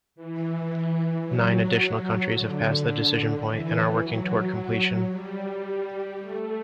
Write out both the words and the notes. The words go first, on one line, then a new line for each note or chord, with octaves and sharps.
Nine additional countries have passed the decision point and are working toward completion.
E3
F#3
D3
E3
F#3
G3
A3